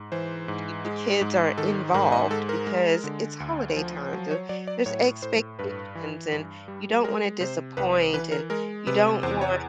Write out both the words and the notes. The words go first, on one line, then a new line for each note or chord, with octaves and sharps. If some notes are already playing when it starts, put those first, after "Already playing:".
if the kids are involved because it's holiday time, the there's expectations, and you don't wanna disappoint, and you don't want
Already playing: G#2
E3 C5
G#2
G#3
G#2
D#3 A4
G#2 A#4
D#5
G#3 A4
A#4
G#3
D3
D2
F3
F#3
C#5
F#3 D5
D5
A2 C#5
A2 C5
G2 B4
E3
G2
G3
G#3 A#4
C3 C5
C2 B4
C5
E3 B4
A#4
G#3 A#4
C3 B4
E2 C5
C#5